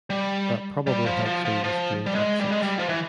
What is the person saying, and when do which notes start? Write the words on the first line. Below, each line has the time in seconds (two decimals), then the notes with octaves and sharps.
That probably helps me with doing accents.
0.10 G3
0.87 G3
1.06 F3
1.25 F3
1.45 F3
1.64 F3
2.06 G3
2.15 G#3
2.40 G3
2.52 G#3
2.62 G3
2.79 F3
2.89 E3